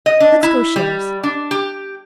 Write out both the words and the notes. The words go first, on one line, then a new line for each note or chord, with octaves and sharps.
Let's go shares.
D#5
D4
E4
G3
D4
G4